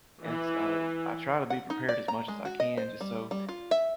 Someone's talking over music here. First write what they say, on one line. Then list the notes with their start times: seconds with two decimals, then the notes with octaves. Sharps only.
And so I try to be prepared as much as I can just so
0.23 E3
1.50 F#5
1.70 D#4
1.89 D5
2.08 A#5
2.28 G#3
2.45 F#4
2.60 D#5
2.77 C5
3.01 G3
3.31 G3
3.49 F4
3.71 E5